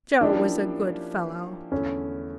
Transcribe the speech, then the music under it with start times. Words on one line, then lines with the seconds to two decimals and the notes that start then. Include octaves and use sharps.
Joe was a good fellow.
0.21 F3 A#3 C#4 D4 E4 G4
1.72 E2 D3 A3 C#4 E4